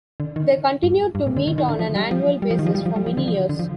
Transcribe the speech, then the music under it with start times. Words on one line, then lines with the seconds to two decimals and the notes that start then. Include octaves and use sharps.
They continued to meet on an annual basis for many years.
0.20 D3
0.36 D#3
0.83 G2
1.15 G2
1.27 A#2
1.37 D3
1.47 D#3
1.58 D#3
1.68 D3
1.79 F3
1.96 G3
2.11 F3
2.42 G3
2.51 F3
2.59 D#3
2.66 F3
2.75 G3
2.86 F3
2.96 G3
3.06 F3
3.17 D3
3.28 F3
3.49 D3
3.59 F3